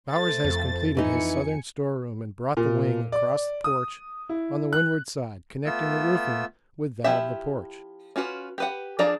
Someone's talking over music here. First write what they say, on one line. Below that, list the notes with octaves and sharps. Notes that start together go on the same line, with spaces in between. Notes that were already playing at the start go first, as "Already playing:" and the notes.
Bowers has completed his southern storeroom and brought the wing across the porch on the windward side, connecting the roofing with that of the porch.
A3 C5 A6
F2
E3 D#4 G#5 C#7
A#2
D5
D#6
E4
F#6
A3 B3 F4 E6
F3 E4 G4 E5
C#4 F4 F#4 B4
G4 B4 F#5
F3 D4 G#4 D5 A#5